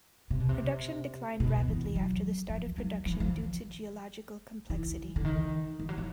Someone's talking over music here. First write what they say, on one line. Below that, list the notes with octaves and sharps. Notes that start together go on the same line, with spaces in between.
Production declined rapidly after the start of production due to geological complexity.
C3
B2
C3
B2
E3
F#3
F3
F#3
F3
E3
F3
E3
D3
D#3
E3
F#3
F3